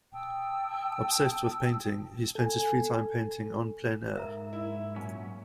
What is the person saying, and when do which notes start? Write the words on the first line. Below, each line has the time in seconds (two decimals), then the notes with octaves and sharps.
Obsessed with painting, he spent his free time painting "en plein air".
0.13 G5 A5 D#6 E6
2.35 A4 G#5
4.15 G#2 A#4 E5 A#5
4.53 E4
4.96 A#2 F#3 C#4